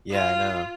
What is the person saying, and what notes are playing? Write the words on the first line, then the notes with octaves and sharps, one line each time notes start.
Yeah, I know.
F4